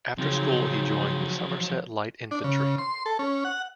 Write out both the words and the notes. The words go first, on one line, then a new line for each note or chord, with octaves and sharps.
After school he joined the Somerset Light Infantry.
C#3 F3 F#3 C4 D#4
D4
C#3
C6
A4
C#4
F#5